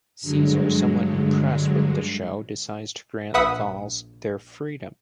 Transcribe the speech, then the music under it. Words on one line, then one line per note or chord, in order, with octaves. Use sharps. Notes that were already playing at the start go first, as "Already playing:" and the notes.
Caesar, somewhat impressed with the show, decides to grant the Gauls their freedom.
G2 D3 F#3 G#3
A#1 B4 E5 F#5 D#6 B6